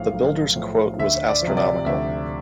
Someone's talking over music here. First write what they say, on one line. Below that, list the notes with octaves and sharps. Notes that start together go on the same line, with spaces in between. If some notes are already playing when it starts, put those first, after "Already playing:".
The builder's quote was astronomical.
Already playing: B1 A2 F3 F5
B1
A2 F3
D2 E5
D5
C3 F3
D5
D2 E5